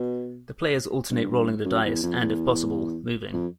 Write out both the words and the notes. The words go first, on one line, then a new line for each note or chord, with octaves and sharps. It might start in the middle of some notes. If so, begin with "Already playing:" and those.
The players alternate rolling the dice and, if possible, moving.
Already playing: B2
G2
F#2
E2
F2
E2
F2